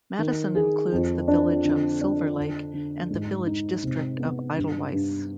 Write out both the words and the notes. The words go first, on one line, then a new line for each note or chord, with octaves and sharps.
Madison includes the village of Silver Lake and the village district of Eidelweiss.
D#3
G#4
F2
D4
D3
D4
D3
D3
G#2
D#4
C3
B3
G2
G2